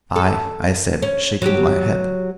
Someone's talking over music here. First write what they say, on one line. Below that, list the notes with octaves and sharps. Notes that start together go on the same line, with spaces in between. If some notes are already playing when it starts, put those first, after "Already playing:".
"Aye!" I said, shaking my head.
A4
C#4
F#3 G4